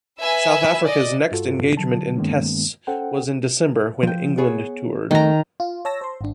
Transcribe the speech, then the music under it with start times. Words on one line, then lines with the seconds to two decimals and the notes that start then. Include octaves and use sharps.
South Africa's next engagement in Tests was in December when England toured.
0.20 B4 E5 G#5 E6
0.85 D5 D#5
1.31 G2 F4 F#4 A4
1.77 D3 F#3 A5
2.16 G2 D#3 G#3 A#3 B3 C#4
2.87 C#4 A4 C5 F#5 G5
4.03 F3 G5
4.37 B3 G#4 C#5
5.11 F2 D#3 A3 F#5 A#5
5.60 F4
5.85 C#5 A5 E6 A#6
6.01 C5 C6
6.21 G#1 D4